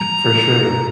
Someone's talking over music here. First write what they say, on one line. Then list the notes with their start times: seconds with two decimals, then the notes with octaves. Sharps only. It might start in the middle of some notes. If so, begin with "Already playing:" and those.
For sure,
Already playing: A#5